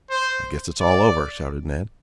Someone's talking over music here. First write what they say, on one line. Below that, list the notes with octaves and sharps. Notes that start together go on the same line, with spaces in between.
"I guess it's all over," shouted Ned.
C5
D5